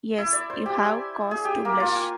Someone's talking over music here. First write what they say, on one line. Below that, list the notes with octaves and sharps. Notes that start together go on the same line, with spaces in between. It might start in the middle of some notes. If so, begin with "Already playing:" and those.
Yes; you have cause to blush.
E4
D5
C5
G4
G#5
G#4
G4
A#3
F4
G#5